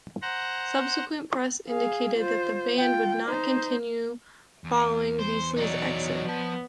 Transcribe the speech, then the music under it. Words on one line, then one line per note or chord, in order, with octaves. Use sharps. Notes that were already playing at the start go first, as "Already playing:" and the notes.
Subsequent press indicated that the band would not continue following Vesely's exit.
C5 F#5 A#5
G#4 F5
F4 C5
F4 G5
D#4 C5
E2
C5
F#3 D#4 C#5 D5
F3 B3 A5